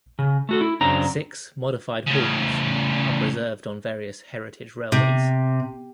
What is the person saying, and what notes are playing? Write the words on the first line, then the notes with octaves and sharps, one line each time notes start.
Six Modified Halls are preserved on various heritage railways.
C#3
A3 F#4 A4
E4
F#2 C#3 C4 D4 A#5
A2 C#3
C3